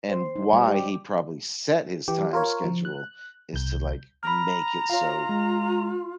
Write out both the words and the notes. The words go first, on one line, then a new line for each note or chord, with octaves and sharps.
and why he probably set his time schedule is to, like, make it so
C5
D#4
G3
G4
E3 G4
F4 A#4 C#5
F3
F#6
C2 G6
A#5 B5 F6
F4 C#5 F5
G#3